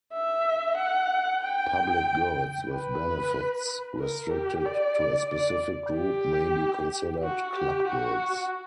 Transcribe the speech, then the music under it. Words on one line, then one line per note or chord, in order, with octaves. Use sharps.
Public goods with benefits restricted to a specific group may be considered club goods.
E5
F#5
G5
B4
A#4
G4
D5
D5
G4
F#4
G4
F#4